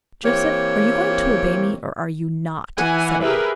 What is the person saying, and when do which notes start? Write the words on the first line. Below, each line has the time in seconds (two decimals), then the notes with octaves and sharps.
"Joseph, are you going to obey me or are you NOT?" said Anne.
0.24 E3 A#3 C4 G4 C#5
2.76 E3 F#5 G#5
3.22 G4 G#4 A#4 B4 E5